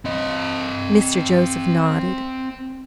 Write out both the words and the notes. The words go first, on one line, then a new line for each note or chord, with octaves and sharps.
Mr. Joseph nodded.
C4 D#5